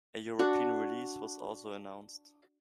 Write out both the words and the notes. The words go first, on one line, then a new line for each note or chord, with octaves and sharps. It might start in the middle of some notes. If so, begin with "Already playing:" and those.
A European release was also announced.
D4 F#4